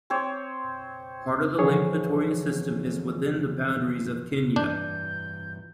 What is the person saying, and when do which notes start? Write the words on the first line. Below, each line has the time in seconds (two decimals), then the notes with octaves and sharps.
Part of the Lake Victoria system is within the boundaries of Kenya.
0.10 C4 C5 C#5 D6
1.59 D3 E3 F3 G#4 C#5
4.56 G2 E3 D4 G6